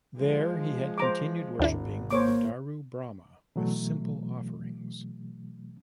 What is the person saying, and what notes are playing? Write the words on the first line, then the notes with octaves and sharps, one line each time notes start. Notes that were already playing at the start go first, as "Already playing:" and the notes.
There he had continued worshipping the Daru Brahma with simple offerings.
F3 G#3
C5 A#5 D6
G#1 D#2 D4 E4
A#3 C5 C#5 D6
B2 E3 F#3 A3